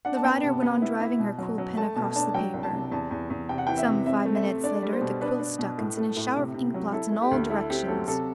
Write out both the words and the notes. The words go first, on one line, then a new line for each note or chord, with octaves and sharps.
The writer went on driving her quill-pen across the paper. Some five minutes later the quill stuck and sent a shower of ink-blots in all directions.
D4 F#5
A5
B3 G5
C3 A5
B3
E4
E4
B2
F#3
F#3
A3 A5
B2 A5
D4 A5
F#3 G5
C2
A5
C3
E2 A5
E2
E2
C3 G5
F#5
E3 G5
E5
C3
C4 E5
A3
E5
A3
D4 D5
G3
C5
B2
D4 B4
D4
B2
A2
A3
A2
C3
C3
F#3
E4 A4
A3
G4
D2
E4 A4
C4 G4
F#3 A4
C3 A4